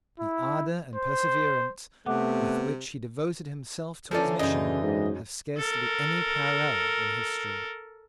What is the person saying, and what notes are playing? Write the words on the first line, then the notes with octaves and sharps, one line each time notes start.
The ardour and perseverance with which he devoted himself to his mission have scarcely any parallel in history.
E4
C5
C3 A3 B3 F#5 D6 F#6
D3 E3 F3 A#3 C#4 A4 D5
F#2 C#3 D#4 D#5
G#2
A4 A#4